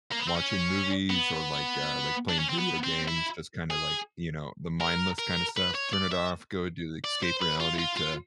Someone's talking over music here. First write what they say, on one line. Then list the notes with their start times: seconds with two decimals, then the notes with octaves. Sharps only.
watching movies or, like, uh like, playing video games, just kinda, like, you know, the mindless kind of stuff. Turn it off, go do the escape reality, to
0.12 A#3
0.20 B3
0.28 C4
0.36 C#4
1.10 B3
2.29 D4
2.39 C#4
2.49 C4
2.58 B3
2.84 C4
3.08 E4
3.71 G#4
4.81 A#4
5.19 A#4
5.57 B4
5.75 C#5
5.93 D5
6.12 E5
7.04 D5
7.23 C5
7.42 B4
7.60 F4
7.79 F4
7.97 F4